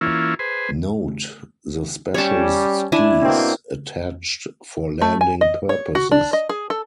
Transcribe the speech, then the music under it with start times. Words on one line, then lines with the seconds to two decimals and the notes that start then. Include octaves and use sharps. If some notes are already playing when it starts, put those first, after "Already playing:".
Note the special skis attached for landing purposes.
0.01 E3 A#3 C#4 E4 F4
0.39 G#4 B4 C5
2.14 G3 C#4 C#5 A5
2.92 D4 E4 G#5
3.22 B2 A#3 C4
5.02 A3
5.21 G#5
5.41 D#5
5.69 C#5
5.95 F#4
6.12 D4
6.33 D#5
6.49 G#4
6.70 A4